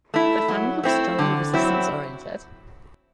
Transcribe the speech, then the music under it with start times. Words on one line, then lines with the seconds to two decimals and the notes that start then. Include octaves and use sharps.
The family was strongly resistance oriented.
0.14 A3 E4
0.48 F#3
0.83 A3 C4 E4
1.19 D3
1.53 F#3 C4 E4